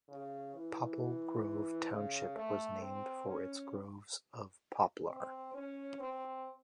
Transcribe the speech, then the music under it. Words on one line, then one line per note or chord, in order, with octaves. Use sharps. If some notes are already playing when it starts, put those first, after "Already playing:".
Popple Grove Township was named for its groves of poplar.
C#3
E3
C#3
A3
C4
C#4
C4
C#4
C4